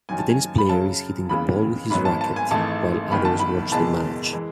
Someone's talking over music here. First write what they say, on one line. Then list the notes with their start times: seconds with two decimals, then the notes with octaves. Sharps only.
The tennis player is hitting the ball with his racquet, while others watch the match.
0.09 F#2 D#3 F#3 G#5
0.19 A5
0.29 G#5
0.58 B5
0.69 F#2 C#3 F#3 A5
1.29 D#2 C#3 E3 B3 B5
1.90 G#1 G#2 F#3 B3 B5
2.05 A5
2.21 A5
2.36 G#5
2.51 G#1 G#2 E3 A3 A5
3.11 F#1 E2 D#3 B5
3.25 A5
3.40 B5
3.72 F#1 E2 B2 G#3 B3 A5
4.33 E3 G#3